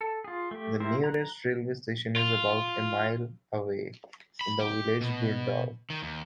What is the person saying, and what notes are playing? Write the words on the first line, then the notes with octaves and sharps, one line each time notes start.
The nearest railway station is about a mile away, in the village of Brundall.
A4
F4 G#4
A3 G4
E4 G4 A#4 C5 E5
A#5 F#6
F4
B5
G4
B2
D#3
D#2